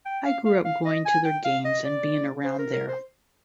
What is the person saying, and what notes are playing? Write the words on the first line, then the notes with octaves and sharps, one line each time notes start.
I grew up going to their games and being around there.
G5
F5
F5
F5
D#5
G#5
G5
F5
D#5
D5
C5
A#4
A#4
C5